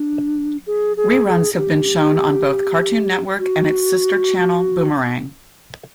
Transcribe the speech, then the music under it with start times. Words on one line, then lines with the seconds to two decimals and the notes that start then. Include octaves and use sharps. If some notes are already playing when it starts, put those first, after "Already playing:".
Reruns have been shown on both Cartoon Network and its sister channel Boomerang.
Already playing: D4
0.67 G#4
0.97 G#4
1.27 G#4
1.54 G#4
1.58 G4
3.39 F#4